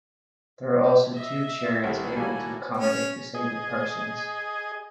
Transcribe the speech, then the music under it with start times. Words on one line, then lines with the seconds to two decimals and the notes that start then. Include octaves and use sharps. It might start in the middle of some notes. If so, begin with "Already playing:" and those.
There are also two chariots able to accommodate disabled persons.
0.81 G4
1.15 D#5 E5
1.84 C2 D#3 E4 A4 F#5
2.16 G3 A#3 F#4 G#5
2.77 C#4
3.34 G#4 D#5